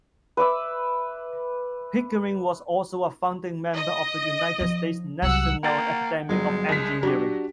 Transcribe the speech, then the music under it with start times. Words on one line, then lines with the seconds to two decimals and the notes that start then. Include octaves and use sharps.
Pickering was also a founding member of the United States National Academy of Engineering.
0.37 B4 E5 D6 E6
3.73 D#5
4.60 F3 C#4
5.22 C2 F#3 F#5 E6
5.63 A#3 F#5 G5 A6
6.29 G1 F#3 G#3
6.69 C2 B6
7.03 F#3 D4 F#4 G4